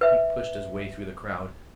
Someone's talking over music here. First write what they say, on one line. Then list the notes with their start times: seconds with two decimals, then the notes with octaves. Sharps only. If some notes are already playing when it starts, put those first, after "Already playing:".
He pushed his way through the crowd.
0.01 B4 E5